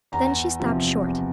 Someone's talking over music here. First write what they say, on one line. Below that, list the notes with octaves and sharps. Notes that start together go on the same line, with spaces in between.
Then she stopped short.
E2 A#5
C3 F3
E2